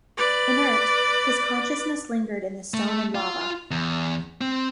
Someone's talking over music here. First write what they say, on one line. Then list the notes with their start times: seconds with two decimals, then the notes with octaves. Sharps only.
Inert, his consciousness lingered in the stone and lava.
0.17 B4 D5
2.74 A3
3.15 F4 F5
3.71 E2
4.41 C4